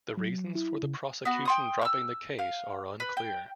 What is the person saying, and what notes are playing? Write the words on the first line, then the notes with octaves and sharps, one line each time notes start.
The reasons for the prosecution dropping the case are unclear.
F#3
E4
C#3
B3 F#4
G5 C6 D#6
E6 F6
F5
B4
G5